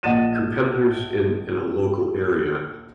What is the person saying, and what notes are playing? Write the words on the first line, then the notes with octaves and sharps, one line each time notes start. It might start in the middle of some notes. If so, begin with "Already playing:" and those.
competitors in in a local area,
A#1 D#5 F#5 A6 D#7 E7